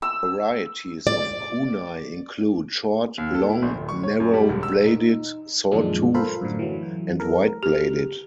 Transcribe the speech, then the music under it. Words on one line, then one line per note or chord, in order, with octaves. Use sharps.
Varieties of kunai include short, long, narrow-bladed, saw-toothed, and wide-bladed.
E6
D5
D#2
A4
E4
A#1
D1
C#6
C#5
F#2
G3
E1
E6
D#4
F#2 A#2 D#3 F3 G#3 D4
F4 A4 A#4 C5 F5 B5
F#2 A2 D3
E3 F#3
A4 A#4
G4